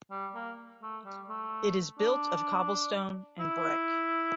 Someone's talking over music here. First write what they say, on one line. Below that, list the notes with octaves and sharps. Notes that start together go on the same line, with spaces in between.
It is built of cobblestone and brick.
G3
A#3
A3
G3
A3
D4
E4